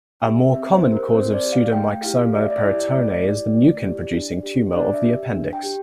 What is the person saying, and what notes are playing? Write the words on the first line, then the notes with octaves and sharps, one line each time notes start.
A more common cause of pseudomyxoma peritonei is a mucin-producing tumor of the appendix.
G4 E5
C4 E5
C5
G4
A#4
C4 C5
D5
G4
F5
A3 G5
E4 G4 F5
A3 D5
E5
D5
E4 G4
A3
E4 G4
A3
E4 G4
D4
G4
D4 D5
E5
G4
E5
D4
G5
G4